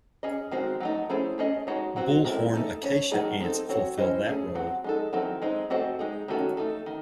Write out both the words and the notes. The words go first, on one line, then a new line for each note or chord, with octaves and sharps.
Bullhorn acacia ants fulfil that role.
C#4 G#4 D#5
D#3 G#3 C4 F#4
F#3 A3 D#4
A3 C#4 E4 G#4 C5
A3 C#4 G#4 D#5
G#3 D#4 F#4 C#5
F#3 C4 F#4
D#3 G#3 C4 E4 A4
A3 D#4 A4
C#4 G#4 C#5
D#3 F#3 A3 D#4 G#4
C4 D#4 A4
C4 F#4 C#5
C#4 E4 C5 D#5
A3 C#4 G#4
F#3 C4 F#4
G#3 D#4 A4
D#3 F#3 C4 E4 A4
G#3 C4 D#4
A3 C4 F#4 C5 D#5
G#3 D#4 G#4
D#3 A3 C#4 F#4 A4
A3 D#4 A4
D#3